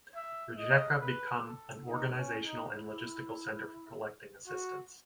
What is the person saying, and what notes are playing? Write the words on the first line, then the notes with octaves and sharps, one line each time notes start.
Rijeka become an organizational and logistical center for collecting assistance.
E5
D#5
B4
A4
D#4
C#4
D#4
E4
F#4